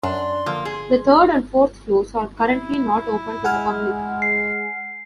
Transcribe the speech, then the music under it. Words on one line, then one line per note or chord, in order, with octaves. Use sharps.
The third and fourth floors are currently not open to the public.
F#2 D4 C6
D3 F3 A#3
G#4
E4
G#3 F#5 G#5 F6
C7